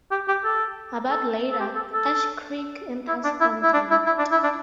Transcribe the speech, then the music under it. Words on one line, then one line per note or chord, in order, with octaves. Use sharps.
About later, Ash Creek enters from the left.
G4
G4
A4
A4
A4
G4
A4
A4
E4
D4
E4
E4
D4
E4
E4
D4
E4
D4